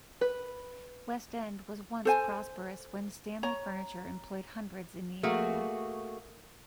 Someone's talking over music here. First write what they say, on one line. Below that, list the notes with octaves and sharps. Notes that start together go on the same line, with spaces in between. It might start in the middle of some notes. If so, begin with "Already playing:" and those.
West End was once prosperous when Stanley Furniture employed hundreds in the area.
B4
A4 C5 G#5
C#5 A#5
A3 A#3 F#4 G#4